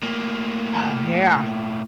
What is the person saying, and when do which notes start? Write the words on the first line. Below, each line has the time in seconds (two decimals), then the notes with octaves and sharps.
Oh, yeah.
0.03 A2 A#3